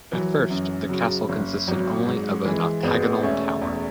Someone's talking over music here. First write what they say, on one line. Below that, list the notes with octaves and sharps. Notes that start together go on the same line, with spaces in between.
At first the castle consisted only of an octagonal tower.
E3 F#3
F#2
C#3 F#3
F#1
G#1 F#3
G#2
E3 G#3
G#1 G#3 B3
E1 A3 C#4
E2